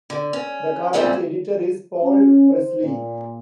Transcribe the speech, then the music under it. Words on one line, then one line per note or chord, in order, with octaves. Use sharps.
The current editor is Paul Presley.
D3
C#4
A#2 G3 A3 C4 C#4 G#4
C#4
C5
A#2